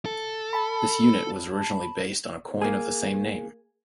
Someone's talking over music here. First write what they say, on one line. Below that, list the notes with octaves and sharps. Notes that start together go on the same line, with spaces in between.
This unit was originally based on a coin of the same name.
A4
A5 B5
A#3 G#4